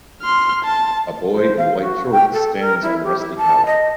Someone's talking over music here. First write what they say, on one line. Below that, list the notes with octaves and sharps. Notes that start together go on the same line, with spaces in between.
A boy in white shorts stands on a rusty tower.
C6 F6
A5
C5
F5
F#4
G5
A4
A#4
E4
G4
E4
A5
D#5